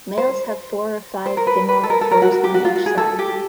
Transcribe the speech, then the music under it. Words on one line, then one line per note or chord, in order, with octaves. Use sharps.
Males have four or five femoral pores on each side.
C5
C5
A#4
B4
B4
A4
A#4
A4
A#4
F#4
F#4
G4
F#4
F4
F#4
G#4
A4
G4